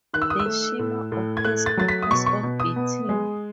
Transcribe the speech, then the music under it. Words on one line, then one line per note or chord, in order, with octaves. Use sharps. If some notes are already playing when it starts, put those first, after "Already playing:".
The shimmer occurs because of beating.
D#3 F#6
E6
D#6
E6
A3
A2
A2
G#6
A3 F#6
A6
F#3 A6
B6
D#6
B2 C#6
C#6
B2
D#6
B3
G#3